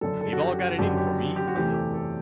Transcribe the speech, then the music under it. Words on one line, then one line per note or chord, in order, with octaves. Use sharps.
They've all got it in for me!
F#1 F#2 D3 F#3 A4
A4
F#4
G4
F#4
F#1 F#2 D3 F#3 G4
G4
G4
F#4
E2 C3 E3 A3 G4
A4
G4
A4